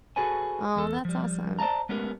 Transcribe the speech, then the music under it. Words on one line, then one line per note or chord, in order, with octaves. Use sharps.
Aw, that's awesome.
F#4 G#4 A4 B4 C#5 G#5
E2 A4
F3 G3
C5 D5 E5 A5 A#5
G#3 A3 B3 C#4 G4 A#4